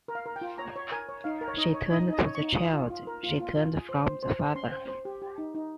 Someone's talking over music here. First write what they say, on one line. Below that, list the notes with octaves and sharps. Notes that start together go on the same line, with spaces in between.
She turned to the child; she turned from the father.
A#4
F5
A#4
G5
F4
C#5 A#5
C#5
A#4 G#5
C#5
D#4 F5
A#4
C#5
D#4 D#5
C#5
D#4 D#5
D#4
D#5
C#5
C#6
D#4
F4 D#6
F4
F4
A#4
F4
F4
F4
G#4
C5
C5
C5
C5
C#4 C6
C5
C5
G4
G4
D#4
D#4